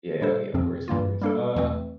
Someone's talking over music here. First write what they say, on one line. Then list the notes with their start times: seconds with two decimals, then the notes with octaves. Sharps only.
Yeah, yeah, yeah, of course, of course, uh
0.21 A#2 G3 D4 A4 C5
0.54 F2 C3 F3 C4
0.88 G2 E3 G3 A#3 F4
1.22 G3 A#3 D4 A4
1.56 E2 E3 A3 C4